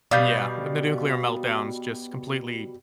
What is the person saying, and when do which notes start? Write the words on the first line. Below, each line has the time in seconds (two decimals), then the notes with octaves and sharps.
Yeah, when the nuclear meltdowns just completely
0.11 B2 G3 D5 F5 G6